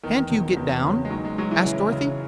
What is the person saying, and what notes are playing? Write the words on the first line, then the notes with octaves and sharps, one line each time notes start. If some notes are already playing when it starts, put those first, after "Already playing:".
"Can't you get down?" asked Dorothy.
E2 D#3
E1
E2
C#3
G#3
F#3 D#4
G#3
F#3 G#3
E3
C#3
C#3